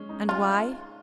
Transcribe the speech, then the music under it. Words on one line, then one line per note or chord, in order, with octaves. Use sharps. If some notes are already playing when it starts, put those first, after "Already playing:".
And why?
Already playing: G#3 C#4
D#4
F4